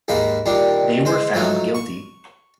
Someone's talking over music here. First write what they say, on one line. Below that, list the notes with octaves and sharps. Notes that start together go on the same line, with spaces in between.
They were found guilty.
D#2 G#2 A#3 D#4 B5
A#2 D#3 G3 D4
G#3 C5
F3 F#3 A3 D#4
C#6